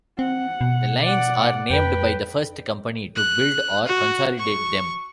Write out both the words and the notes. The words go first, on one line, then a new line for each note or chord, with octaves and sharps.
The lines are named by the first company to build or consolidate them.
C4 F#5
B2
D5 F#5
F2 B4 G5
F#6
F#4
C#6